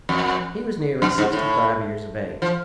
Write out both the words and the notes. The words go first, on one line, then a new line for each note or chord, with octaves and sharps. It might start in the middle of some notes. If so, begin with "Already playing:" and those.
He was nearly sixty-five years of age.
F2
F#2
G#2
A2
F3